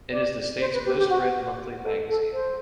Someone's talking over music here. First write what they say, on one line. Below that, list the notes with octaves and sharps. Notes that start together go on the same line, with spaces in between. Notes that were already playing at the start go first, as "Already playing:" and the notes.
It is the state's most-read monthly magazine.
D5
C5
B4
G4
G4
F#4
A4
A4
C5